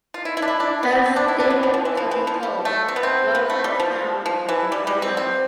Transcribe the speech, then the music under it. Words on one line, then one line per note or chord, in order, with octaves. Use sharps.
Her steward, John Nicol, wrote an account of the voyage.
F4
E4
E4
D4
E4
D4
B3
C4
D4
E4
D4
B3
F3
F3
E3
F3
E3
F3
G3
A3
C4
B3
C4
B3
A3
G3
F3
F3
E3
G3
G3
C4
C4